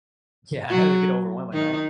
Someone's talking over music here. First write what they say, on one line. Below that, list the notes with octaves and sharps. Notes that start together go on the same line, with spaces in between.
Yeah, it would get overwhelming, right?
F#3 F#4
D#3 D#4